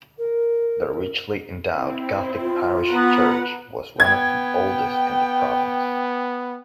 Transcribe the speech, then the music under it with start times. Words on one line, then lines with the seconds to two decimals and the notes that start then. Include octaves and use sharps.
The richly endowed Gothic parish church was one of the oldest in the province.
0.18 A#4
1.76 C4 E4
2.41 F4
2.90 B3 B4 F#5 A#5
4.00 B3 G5 G#6